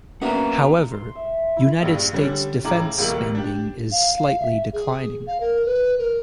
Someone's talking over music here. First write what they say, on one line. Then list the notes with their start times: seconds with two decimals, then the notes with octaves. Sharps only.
However, United States defense spending is slightly declining.
0.22 A#3 B3 C#4 D4 F#4 E5 F#5 A#5
0.91 C6
1.15 E5
1.57 E4
1.82 A#1 G2
2.13 D3 G3 C#4 D4
2.65 A2 C#3 A#5 D6 F#7
2.97 E1 C#2 G3 A3 A#3 F#7
3.35 D4 G4
3.92 F5
4.17 F5
4.40 E5
4.73 G#4
5.27 F5
5.40 A#4
5.66 B4
5.98 A#4